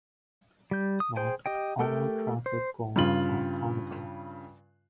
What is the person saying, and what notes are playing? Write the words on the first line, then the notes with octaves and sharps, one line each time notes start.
Not all traffic cones are conical.
G3 G6
D#6
G#4 C5 G5 G#5
G4 D#5 G5
A3 G4 A4 A#4 G5
C5
G2 C#3 F4 F#7